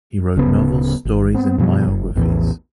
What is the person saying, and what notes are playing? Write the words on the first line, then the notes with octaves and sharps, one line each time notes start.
He wrote novels, stories and biographies.
D1 C#3 B3
G#1
B3 C4
F#2 B2 F3 G3
F#1
A#1 E2 A2 E3